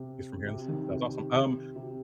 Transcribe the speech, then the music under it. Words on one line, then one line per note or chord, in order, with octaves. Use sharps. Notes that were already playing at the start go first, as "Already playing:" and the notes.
He's from here in the states. That's awesome. Um,
Already playing: C3
C3
D#3
C3
C3